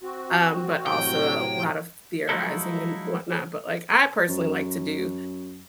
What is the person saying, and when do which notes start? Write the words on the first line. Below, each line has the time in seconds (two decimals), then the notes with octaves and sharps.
um, but also a lot of theorizing and whatnot, but, like, I personally like to do
0.02 C4 F#4
0.86 A2 C3 F#3 G5
2.29 F3 F#3 G#3 D#4 E4 A4
4.29 F#2